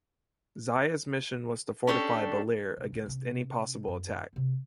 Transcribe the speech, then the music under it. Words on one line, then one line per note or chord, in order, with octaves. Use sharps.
Zayas mission was to fortify Baler against any possible attack.
C#4 D4 G4 A4
C3
A2 D3
C3 C#4
F#2
D2 C3